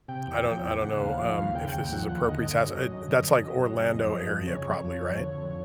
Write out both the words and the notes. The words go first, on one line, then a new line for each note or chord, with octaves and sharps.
I don't I don't know, um, if this is appropriate. Has eh, that's like Orlando area probably, right?
C3 G5
E2
F3
E2
C#3 F#5
D#2 F5
F3 F5
D#2 F5
C#3 G5
D#2 G5
F3 F#5
D#2 F#5
D3 D#5
F#2
F#3
F#2
D3
F#2
F#3
F#2
C#3
F2
F3
F2
C#3 C#5
F2
F3
F2
D3
F2